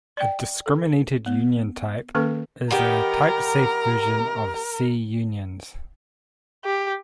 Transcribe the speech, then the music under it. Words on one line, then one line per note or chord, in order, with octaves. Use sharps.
A discriminated union type is a type-safe version of C unions.
D5 G5
A4
B3
D#3 A#3 C#4 A4 B4 C#6
D#3 B3 G4 A#4
G4